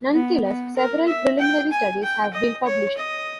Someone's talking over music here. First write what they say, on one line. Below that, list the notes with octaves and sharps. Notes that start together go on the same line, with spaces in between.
Nonetheless, several preliminary studies have been published.
B3
B3
A#4
E5
G5
G#5
G5
D#5
C#5
D#5